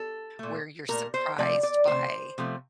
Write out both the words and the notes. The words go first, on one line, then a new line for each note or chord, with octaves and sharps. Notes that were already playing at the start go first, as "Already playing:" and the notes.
where you're surprised by,
Already playing: A4
A#2 A3
A#2 A3 A#4
C5
C3 F3 A3 D5
D5
C3 F3 A3 C5
C3 F3 A3